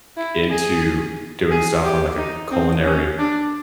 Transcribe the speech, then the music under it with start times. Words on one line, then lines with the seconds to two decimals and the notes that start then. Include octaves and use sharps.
into doing stuff on, like, a culinary
0.17 E4
0.50 G#4
1.50 G#4
1.84 G4
2.18 D#4
2.51 C4
2.85 C#4
3.19 D4